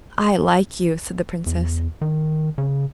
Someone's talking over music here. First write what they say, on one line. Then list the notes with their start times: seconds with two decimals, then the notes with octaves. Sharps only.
'I like you!' said the Princess.
1.46 E2
2.01 D#3
2.58 C#3